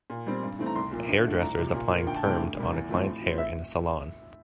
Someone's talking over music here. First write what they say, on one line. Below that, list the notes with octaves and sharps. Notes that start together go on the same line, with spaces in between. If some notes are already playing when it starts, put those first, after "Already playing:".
A hair dresser is applying permed on a client 's hair in a salon.
A#2
G3 C4
G2
E3 A3 C4
A#5
C2 C6
A#2 F3 A#3
D2
D3 F3 A3
C2 A#5
C3 F3
A#2
F3 A#3
D2 G5
A5
C3 E3 A3 C4 G5
D2
C3 G3 A#3
E2
D3 F3 A3 C4
A2
F3 C4
E5